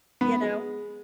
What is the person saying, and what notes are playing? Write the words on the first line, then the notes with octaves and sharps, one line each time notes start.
you know?
B3
G#3